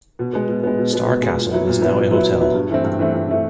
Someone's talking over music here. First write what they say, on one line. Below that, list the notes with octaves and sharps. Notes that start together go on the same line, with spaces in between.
Star Castle is now a hotel.
B2
G#3 B3
B2
G#3 B3
B2
G#3 B3
B2
G#3 B3
A#2
F#3 B3 E4
A#2
F#3 B3 E4
A#2
F#3 B3 E4
A#2
F#3 B3 E4
G2
E3 A3 C4
G2
E3 A3 C4
G2
E3 A3 C4